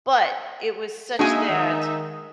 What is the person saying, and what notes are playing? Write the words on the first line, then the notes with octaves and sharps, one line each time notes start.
But it was such that
G#3 A#3 D4 D#4 F#4 E5 G#5
D#3